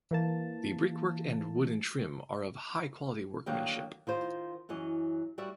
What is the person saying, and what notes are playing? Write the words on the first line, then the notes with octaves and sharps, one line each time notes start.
The brickwork and wooden trim are of high quality workmanship.
E3 A#3 A5
D3 D#3 F#3 A#3 G5
D#3 F4 C5
F#2 E3 F#3 D#5
G3 F#4 D5 E5